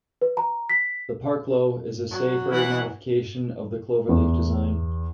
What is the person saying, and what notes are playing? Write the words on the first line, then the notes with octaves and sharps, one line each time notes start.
The parclo is a safer modification of the cloverleaf design.
B4
A#5
B6
F#3
E3 F#5
E2